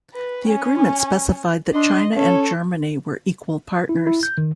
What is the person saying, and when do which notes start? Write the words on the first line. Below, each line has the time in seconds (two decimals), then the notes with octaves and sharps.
The agreement specified that China and Germany were equal partners.
0.14 B4
0.46 C#4 G#5
1.73 D4 D#5 C6
2.16 C#4 A4 C#5
3.89 E4
4.07 E4
4.23 G6
4.38 D#3